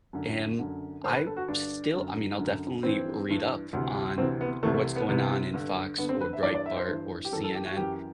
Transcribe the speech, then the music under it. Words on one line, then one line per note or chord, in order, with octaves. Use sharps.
And I still I mean, I'll definitely read up on what's going on in Fox or Breitbart or CNN,
F#2 D3
F#2 D3
G2 D3 C5
B4
A4
F#4
G2 D3 D4
F#2 D3
F#2 D3
G2 E3 C4
G2 E3
D2 C3 E3
D2 C3 E3 C4
B3
C2 C3 E3 A3
A3
B3
C2 C3 E3 B3
G2 D3
G2 D3 B3
C4
B4
E5
G2 E3 D5
D5
E5
C5
G2 E3
G4
F#2 E3 A4
A4
G4
F#4
F#2 E3 G4